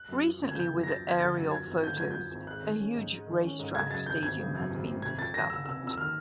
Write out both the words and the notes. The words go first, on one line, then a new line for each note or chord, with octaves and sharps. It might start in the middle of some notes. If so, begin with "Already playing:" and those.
Recently with aerial photos, a huge racetrack stadium has been discovered.
Already playing: F#6
F#2
F3
G1
G#6
C#3 G6
F#2
A#6
F3 A6
G1 G#6
D3 A6
F#2
A6
F3 G#6
G#1
D3 G6
F#2 G#6
G6
F3
G#1
G#3 F#6
D#3
C#4
G#2
G#3
D#3
C#4
G#2
C#3 G#6
F#2 A6
G#1 G6
G#1 G#6
C#3
F#2
G#1
G#1
C3 G#6
F2 A6
D#3 A#6
F#1 E6
C3 E6
F2 E6
D#3 F6